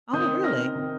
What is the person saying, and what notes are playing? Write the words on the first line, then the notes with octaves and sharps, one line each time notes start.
Oh, really?
D#3 C4 D#6 G6
F6 A#6
D#3 C4